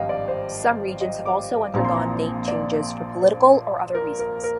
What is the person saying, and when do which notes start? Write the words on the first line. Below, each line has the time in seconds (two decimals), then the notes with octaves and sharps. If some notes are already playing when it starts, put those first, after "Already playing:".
Some regions have also undergone name changes for political or other reasons.
Already playing: G#1 G2 F3 D#5 F5 G5
0.09 D5
0.28 C5
1.01 D#5
1.25 D6
1.74 A#1 A#2 F3 C4 A#5
1.85 C6
1.95 A#5
2.48 D5
3.22 C5
3.95 A#4
4.19 A#4
4.44 A#4